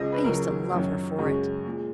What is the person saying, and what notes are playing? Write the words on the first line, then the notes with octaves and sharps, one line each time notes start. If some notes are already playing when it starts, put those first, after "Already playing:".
I used to love her for it.
Already playing: C#2 C#3 F3 G#3 D#5
B4
C#2 C#3 F#3 A#4
F#2 D#3 F#3
F#2 C#3 G#3 F#4
A#2 G#3